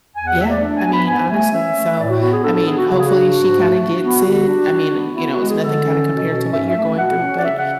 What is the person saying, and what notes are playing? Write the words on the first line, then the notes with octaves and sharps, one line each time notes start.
Yeah. I mean, honestly. So, I mean, hopefully, she kinda gets it. I mean, you know, it's nothing kinda compared to what you're going through, but,
E2 G#5
F#5
A3 E5
D5
D4
G#5
B3
B5
G#2 G#5
A3
C#4 E5
A3
A2 D5
F#4
B3 F#4
G#4
D4 A4
A4
B3 G#4
F#4
C#3 F#4
G#4
F#4
D4
G#2
A3
D4 F#4
B3
D3
D4
D4
B3
B3 E4
F#4
G#3
G#4
D3 A4
C#4
B2
C#4
G#2 E5
E5
A3
B2 F#5
C#4
D5
C#3 E5
F#5